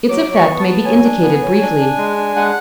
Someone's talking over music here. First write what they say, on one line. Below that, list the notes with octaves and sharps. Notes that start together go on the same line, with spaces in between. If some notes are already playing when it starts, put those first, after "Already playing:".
Its effect may be indicated briefly.
F#3 D6
F#3
C#6
B3
A5
B3
F#3 G#5
D4
B3
F#3
D4
D4
G#3
D4
G#3 F#5